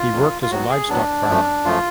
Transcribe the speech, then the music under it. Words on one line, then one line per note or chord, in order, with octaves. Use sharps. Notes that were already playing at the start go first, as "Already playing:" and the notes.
He worked as a livestock farmer.
Already playing: F4
F2 C#3 F#3
F4
A2 F#3 B3 F#4
G#4
A2 F#3 B3 D4
F#2 F3 A3
F#2 F3 A3 F4